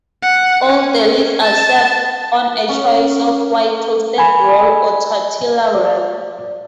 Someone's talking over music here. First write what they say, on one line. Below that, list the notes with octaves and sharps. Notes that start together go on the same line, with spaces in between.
All delis are served on a choice of white toasted roll or tortilla wrap.
F#5
C#4
A5
C#4
G#5 B5
D5